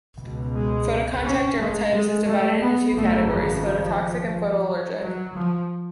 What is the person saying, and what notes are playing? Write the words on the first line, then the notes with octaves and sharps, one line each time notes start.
Photocontact dermatitis is divided into two categories: phototoxic and photoallergic.
C#2 B2
G#3
C#4
G#3
G#3
A3
B3
G#1 F#2 C#3 A3
F3
F#3
F3